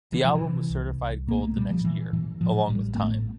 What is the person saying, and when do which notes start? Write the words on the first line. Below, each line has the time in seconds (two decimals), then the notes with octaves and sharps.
The album was certified gold the next year, along with "Time".
0.12 C3 E3
0.24 F3
0.35 E3
0.41 C3
0.70 C2
0.98 C2
1.27 A#2 A#3
1.43 A3
1.56 A#2 G3
1.70 F3
1.84 A#2 E3
2.13 A#2 E3
2.41 A2 F3
2.70 A1 G3
2.95 A#3
2.99 A2 A3